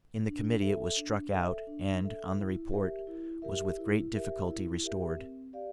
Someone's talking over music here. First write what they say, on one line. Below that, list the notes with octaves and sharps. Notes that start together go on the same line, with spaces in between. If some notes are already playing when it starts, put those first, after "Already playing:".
In the Committee it was struck out, and, on the report, was with great difficulty restored.
D4
A4 E5
D4
A4 E5
D4
A4 E5
E4
G4 A#4 E5
E4
G4 A#4 E5
E4
G4 A#4 E5
E4
G4 A#4 E5
C4
G4 D5 F5